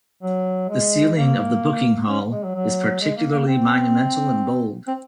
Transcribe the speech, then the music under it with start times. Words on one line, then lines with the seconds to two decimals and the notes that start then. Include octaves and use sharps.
The ceiling of the booking hall is particularly monumental and bold.
0.22 F#3
0.69 G#3
1.16 A#3
2.08 C#4
2.31 G#3
2.44 F#3
2.55 F#3
3.01 G#3
3.17 A#3
3.32 A#3
3.48 C4
4.87 C4